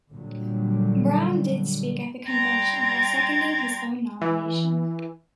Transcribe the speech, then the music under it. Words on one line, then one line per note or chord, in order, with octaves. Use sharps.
Brown did speak at the convention by seconding his own nomination.
A#2 D3 F#3 G3
G3 G5 A#5 C6 G#6 A6
E3